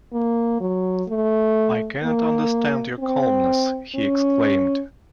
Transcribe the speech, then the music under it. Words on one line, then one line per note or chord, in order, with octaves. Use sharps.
"I cannot understand your calmness," he exclaimed.
A#3
F#3
A3
A#3
C4
C#4